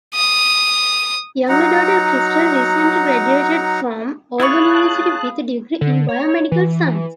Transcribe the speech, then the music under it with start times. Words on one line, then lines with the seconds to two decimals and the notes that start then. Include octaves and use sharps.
Younger daughter Crystal recently graduated from Auburn University with a degree in BioMedical Science.
0.15 D#6
1.49 F#3 D#4 F#5 A#5
4.40 E4 F4 G#4 C#5 A5 B5 C#6 F#6
5.81 D3
6.09 C#5
6.52 E3